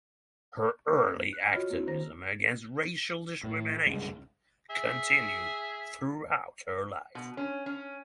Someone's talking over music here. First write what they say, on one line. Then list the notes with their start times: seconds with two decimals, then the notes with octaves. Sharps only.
Her early activism against racial discrimination continued throughout her life.
1.33 F#6
1.53 F4 F#4 C#5 D#5 B5 F6
1.70 A#3 C4 D4 E4 F#4
1.87 D#3 C5 A#5 A#6
3.43 A2
3.86 C2 G2 C#3 G#3
4.70 G#4 E5
7.15 B2
7.37 C#4
7.66 C#4